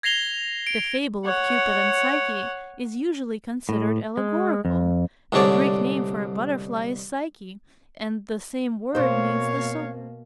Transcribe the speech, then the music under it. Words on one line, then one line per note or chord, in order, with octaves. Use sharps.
The fable of Cupid and Psyche is usually considered allegorical. The Greek name for a butterfly is Psyche, and the same word means the soul.
G#6 A#6 C7 F7 G7
D7
C#5 F#5
A2
G#3
F2
C2 G#2 D3 C#5 D5
B2 A#3 C4 C5 C#5 F5